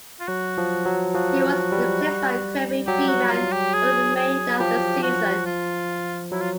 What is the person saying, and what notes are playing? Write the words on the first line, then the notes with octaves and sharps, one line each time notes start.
He was replaced by Kirby Freeman for the remainder of the season.
F4
F#3 F#4
F3
F#3
F3 F#4
G3
F#3 G4
F#4
F4
G4
G#4
G#4
F3 G4
F#4
F4
F#3 E4
F4